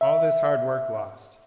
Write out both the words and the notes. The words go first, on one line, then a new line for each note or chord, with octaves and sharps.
All this hard work lost!
E5